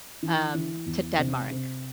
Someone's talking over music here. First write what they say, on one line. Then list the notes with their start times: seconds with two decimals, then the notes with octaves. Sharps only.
um, to Denmark,
0.23 E3
0.54 E3
0.86 E2
1.18 C3
1.51 C3